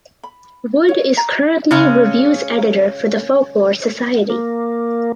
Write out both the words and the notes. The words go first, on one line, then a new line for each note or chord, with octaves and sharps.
Wood is currently Reviews Editor for the Folklore Society.
B5
C#5
A#5
C#3 G#3 C#4 A#5
A#3